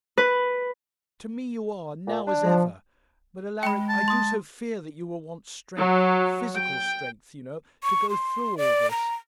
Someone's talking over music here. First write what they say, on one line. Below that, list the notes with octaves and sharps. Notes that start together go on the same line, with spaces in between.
'To me you are, now as ever; but, Alaric, I do so fear that you will want strength, physical strength, you know, to go through all this.
B4
A#2
D4
F3
G#3 G5 B5
A5
C6 D#6
F#3
G5
C#6
C6
D5
A#5